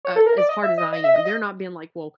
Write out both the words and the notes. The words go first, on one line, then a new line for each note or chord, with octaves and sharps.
uh, as hard as I am, they're not being like, "Well,
C#5
A4
A#4
D5
D#5
E5
D#5
D#5
E5
D#5
D#5